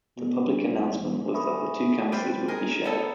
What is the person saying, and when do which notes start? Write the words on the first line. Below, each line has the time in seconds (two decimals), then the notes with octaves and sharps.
The public announcement was that the two campuses would be shared.
0.17 B2
0.45 G2
0.68 C2
0.99 E1
1.34 E5 G#5 B5 C#6 D#6
2.12 G3 B4 C5 D5
2.48 G#4 A#4 D#5
2.84 B3 D#4 A4